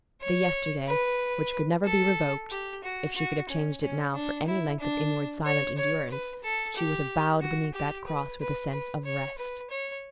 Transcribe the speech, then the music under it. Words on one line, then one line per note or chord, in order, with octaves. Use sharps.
The yesterday, which could never be revoked,--if she could have changed it now for any length of inward silent endurance, she would have bowed beneath that cross with a sense of rest.
C#5
B4
A4
G4
F#4
F#4
C#4
C#4
D4
E4
D4
C#5
C#5
B4
A4
G4
F#4
G4
B4
B4
B4
C#5
B4
C#5